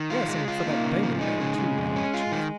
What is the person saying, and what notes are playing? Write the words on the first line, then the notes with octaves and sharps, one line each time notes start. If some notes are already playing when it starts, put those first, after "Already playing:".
"Yes, and for that Damon man, too," added the chief.
Already playing: D#3
F4
G#3
F4
A#3 D#4
C#3
F3
G#3 D#4
C#3
C#3
F2
C#4
F4
D#3